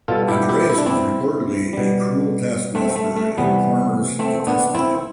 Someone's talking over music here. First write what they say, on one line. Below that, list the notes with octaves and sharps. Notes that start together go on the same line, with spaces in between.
Andreas was reportedly a cruel taskmaster, and the farmers detested him.
B2 G3 F4 A4
E4 G4
E4 G4
E4
D4
C4 E4
B2 G3
A3 C4
A3
A3
C3 E3 G3 B3
A3 C4
B3 D4
C4 E4